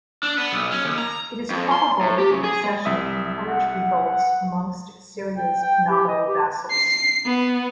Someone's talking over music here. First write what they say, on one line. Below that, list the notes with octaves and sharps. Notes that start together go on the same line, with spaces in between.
It is probable that the accession encouraged revolts amongst Assyria's nominal vassals.
D4
B3
B1
C#4
D#2
A#5
F2
C6
A2
G4
C#3
G#4
G#3
C2 E5 D#6
F#5
G3
G5
G5
G4
D#5
G4
C7
B3